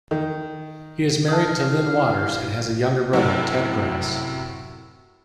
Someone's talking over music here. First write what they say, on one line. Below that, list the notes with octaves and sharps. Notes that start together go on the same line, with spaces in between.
He is married to Lynne Waters and has a younger brother, Ted Grass.
D#3
E4 F5 A5 D#6
F#2 A2 C3 F#4